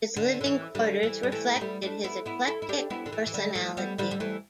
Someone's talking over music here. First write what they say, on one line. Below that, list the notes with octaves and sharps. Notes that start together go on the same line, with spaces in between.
His living quarters reflected his eclectic personality.
D3
D3
E3
D3 G3
E3
G3
E3 A3
A3
G3 B3
A3 D4
B3 E4
B3 E4
E4 A4
E4
D4 G4
B3 E4
D3
E3
E3
D3 G3
E3 A3
G3 B3
D3 G3
G3
E3 A3